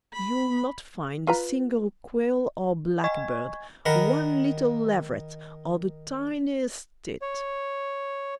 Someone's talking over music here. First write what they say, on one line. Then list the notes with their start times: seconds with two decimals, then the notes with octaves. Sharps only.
You'll not find a single quail or blackbird, one little leveret, or the tiniest tit.
0.13 B5
1.27 F4 B4 A#5
3.04 D#5 G#5 C#6 G#6
3.86 D#3 A#4 F#5 B5
7.22 C#5